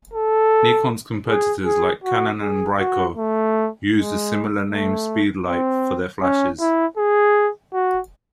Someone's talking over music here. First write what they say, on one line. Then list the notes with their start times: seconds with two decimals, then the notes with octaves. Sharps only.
Nikon's competitors like Canon and Ricoh use the similar name Speedlite for their flashes.
0.13 A4
1.28 G#4
1.65 G#4
2.03 F#4
2.41 G#4
2.79 F#4
3.17 A3
3.93 G#3
4.69 A3
5.46 C4
6.22 C#4
6.59 E4
6.97 G#4
7.73 F#4